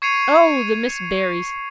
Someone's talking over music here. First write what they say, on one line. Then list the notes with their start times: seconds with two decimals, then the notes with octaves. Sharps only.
Oh, the Miss Berrys!
0.02 C#6 G#6 C7 C#7 D#7 F7